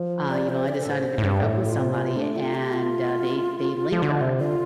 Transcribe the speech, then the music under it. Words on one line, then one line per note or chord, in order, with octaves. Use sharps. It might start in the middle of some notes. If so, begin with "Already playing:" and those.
uh, you know, I decided to break up with somebody and, uh, they they linger,
Already playing: F3
D5
C5
D3 D5
C5
A4
A2 C5
A2
G2
G4
A2 A4
F4
C3
F4
A3 D4
F4
G4
F4
F3
D3
C3
D3 F4